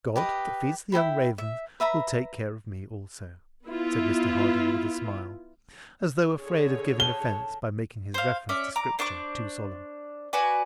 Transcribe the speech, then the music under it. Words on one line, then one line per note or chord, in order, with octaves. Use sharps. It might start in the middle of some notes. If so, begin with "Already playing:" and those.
"God, that feeds the young ravens, will take care of me also," said Mr Harding, with a smile, as though afraid of giving offence by making his reference to scripture too solemn.
G4 B4 D#5
E4 A4 G5 B5
E5
B4 E5 A#5 B5
B3 E4 F4
D3 G#4 C#5
A5 G7
C5 F5
C#4 D5 E5
A#5 D6
D4 C5 C#6 D6
F#4 B4 D5 G#5